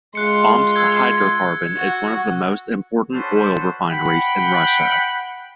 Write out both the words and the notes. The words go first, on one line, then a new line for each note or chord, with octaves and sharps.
Omsk Hydrocarbon is one of the most important oil refineries in Russia.
G#3 F4 C6 F#6 C#7
E6 F#6 G#6
F#4
C#4 D4 F#4 A4 B4 C5
F#5 G5 B5